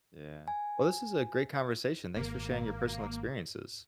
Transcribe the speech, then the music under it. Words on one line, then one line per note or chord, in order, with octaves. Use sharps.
Yeah. Well this is a great conversation, thanks for sharing your personal experiences.
G#5
D#1 G#1 A#3